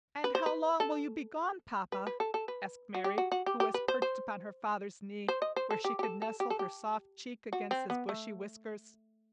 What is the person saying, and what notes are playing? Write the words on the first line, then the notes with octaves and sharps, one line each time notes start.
"And how long will you be gone, papa?" asked Mary, who was perched upon her father's knee, where she could nestle her soft cheek against his bushy whiskers.
B4
C5
B4
A4
B4
B4
A4
A4
B4
F#4
G4
F#4
F#4
G4
G4
B4
C5
C5
C5
D#5
C5
A4
G4
G4
A4
A4
G4
A4
G4
F#4
C4
B3
A3